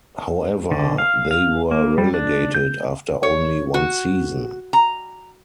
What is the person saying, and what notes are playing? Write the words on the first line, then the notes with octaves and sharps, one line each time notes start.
However, they were relegated after only one season.
D3
F5
F5
A#3
G3
D4
G6
C#5
F#4
A#5